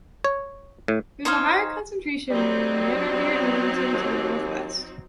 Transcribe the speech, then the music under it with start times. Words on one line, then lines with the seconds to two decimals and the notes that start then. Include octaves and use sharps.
There is a higher concentration near Manorbier Newton to the northwest.
0.24 C#5
0.88 A2
1.25 D#4 C5 C#5 F5
2.30 F#3 G3 C4 D#4
3.93 D#2